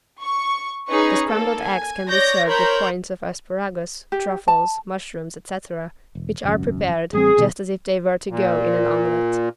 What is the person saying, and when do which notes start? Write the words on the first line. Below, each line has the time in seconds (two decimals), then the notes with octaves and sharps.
The scrambled eggs can be served with points of asparagus, truffles, mushrooms, etc. which are prepared just as if they were to go in an omelet.
0.22 C#6
0.89 C#4 D#4 G#4 B4 C#6
1.28 A#3 A4
1.59 G#5
2.09 C#5 D5 G6 A#6
2.47 A#4 C5 C#5 A#5 B5 G6
4.12 G4
4.48 A5
6.15 E1
6.43 G#1 C#2 F#2
7.13 A1 G3 C4 G#4
7.37 E1 B2 D#3
8.29 A#2